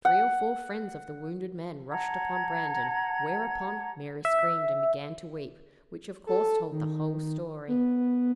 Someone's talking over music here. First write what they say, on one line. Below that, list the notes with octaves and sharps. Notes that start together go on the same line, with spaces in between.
Three or four friends of the wounded man rushed upon Brandon; whereupon Mary screamed and began to weep, which of course told the whole story.
F#5
F#5 A5 A#5 G#6
E5
A4
D#3
B3